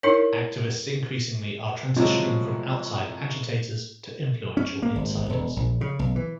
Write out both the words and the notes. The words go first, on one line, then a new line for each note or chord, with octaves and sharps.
Activists increasingly are transitioning from outside agitators to influential insiders.
D#4 E4 A#4 C#5
A2 C3 F3 F#3 G#3
C#4
A#3
G#1
G#1
E1
A#1
C#3
B1
E3